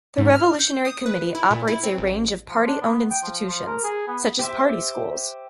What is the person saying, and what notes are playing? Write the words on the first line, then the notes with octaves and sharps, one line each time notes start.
The Revolutionary Committee operates a range of party-owned institutions, such as party schools.
G#2
F6
G6
D#6
B4
E4
A#2
E4
C4
A1
F3
D4
B3
G5
F3
F3
A#4
G#4
B3
G4 C5 E5